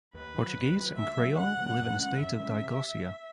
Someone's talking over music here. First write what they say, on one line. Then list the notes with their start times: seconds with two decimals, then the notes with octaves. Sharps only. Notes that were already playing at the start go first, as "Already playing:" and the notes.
Portuguese and Creole live in a state of diglossia.
0.14 D#2 B4
0.34 D#3 F#3
0.55 D#2
0.76 D#3 F#3
0.96 D2 E5
1.16 C#3 F#3 A#3
1.37 D2 F#5
1.57 C#3 F#3 A#3
1.78 F#2
1.98 D#3 G#3 C#4
2.19 F#2 E5
2.39 D#3 G#3 C#4
2.60 C3